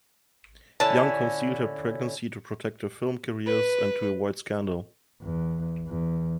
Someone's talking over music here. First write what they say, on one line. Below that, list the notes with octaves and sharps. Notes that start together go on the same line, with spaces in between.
Young concealed her pregnancy to protect their film careers and to avoid scandal.
D3 C#4 E4 A5
B4
E2
E2